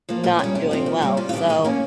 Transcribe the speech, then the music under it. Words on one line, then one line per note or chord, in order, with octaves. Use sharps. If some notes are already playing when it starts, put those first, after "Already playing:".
not doing well, so
F3 A#3
A#2 A#4
G3 C#4 G#4
C3 G4
F3 C4
A#2
G3 A#3 C#4
C3 F4
F4
D#3 G3 G4
D#3 G#4
A#3 C#4 A#4